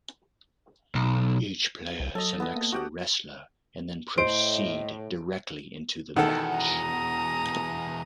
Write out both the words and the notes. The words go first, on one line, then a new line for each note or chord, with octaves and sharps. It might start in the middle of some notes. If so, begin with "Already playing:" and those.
Each player selects a wrestler and then proceed directly into the match.
B1
C2
F#3 A4 D#5
B3 D#6
A#3
F#4 G4 F#5
A2 C5 D#5 D7
E2 B2 D#3 A4 F#5
A#5 D#6